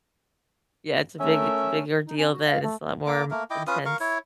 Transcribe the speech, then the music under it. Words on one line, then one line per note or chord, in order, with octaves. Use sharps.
Yeah, it's a big it's a big ordeal then. It's a lot more intense.
A3 C#4 A#4 E5
D#4
C#4
F#4
F5
A3
A#3 D6
A3 A#3 A#4
E4 D#5 G5 D6
C#4 F4 B4 D#6
A#4 F5 C#6
E4 C#5